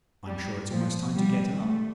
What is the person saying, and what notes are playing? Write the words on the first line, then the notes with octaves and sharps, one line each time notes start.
I'm sure it's almost time to get up.
G3
F3
G3
A3